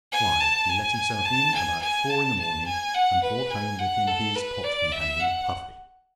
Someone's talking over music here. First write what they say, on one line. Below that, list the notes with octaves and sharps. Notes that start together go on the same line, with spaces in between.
Why, he let himself in about four in the morning, and brought home with him his pot-companion, Puffy.
G#5
A5
G#5
A5
G#5
G#5
A5
A5
G#5
F#5
B4
G#5
F#5
A4
B4
D5
E5
F#5